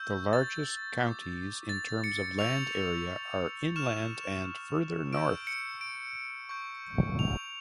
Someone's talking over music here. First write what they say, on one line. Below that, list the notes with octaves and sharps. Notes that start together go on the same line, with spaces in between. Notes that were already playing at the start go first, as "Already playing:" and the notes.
The largest counties in terms of land area are inland and further north.
Already playing: C#6 E6 G6
A6
D6 G6
A6
C#7
C#6 E6 G6 F7
C#6 F6 E7
C#6 E6 G6 D7
C#7
D7
C#6 G6
F7